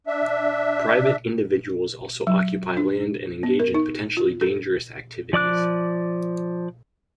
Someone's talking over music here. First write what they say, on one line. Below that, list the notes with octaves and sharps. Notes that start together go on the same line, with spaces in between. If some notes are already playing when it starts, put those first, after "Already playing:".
Private individuals also occupy land and engage in potentially dangerous activities.
D4 E5
F#3
D4
B3
A#4
D#4
F4
A4
F3 D5 D6 F#6